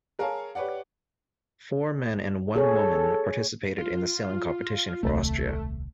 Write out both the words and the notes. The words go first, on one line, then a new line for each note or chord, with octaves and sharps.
Four men and one woman participated in the sailing competition for Austria.
G#4 A#4 C#5 F5 G#5 A5
G4 B4 C#5 D5 F#5
G#4 A4 C#5
F4
D#1 C2 A3